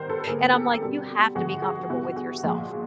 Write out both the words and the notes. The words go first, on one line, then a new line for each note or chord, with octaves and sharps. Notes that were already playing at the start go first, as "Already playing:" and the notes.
and I'm, like, you have to be comfortable with yourself
Already playing: D#3 G3 B3 A#4 C5
A4 B4
D3 G3 A#3 G#4 A#4
G4 A4
B2 G3 C4
D3 F3 G#3 B3 F#4 G#4
F#4 G#4
B2 G3 B3 E4 F#4
F#4 G#4
A#2 F3 G#3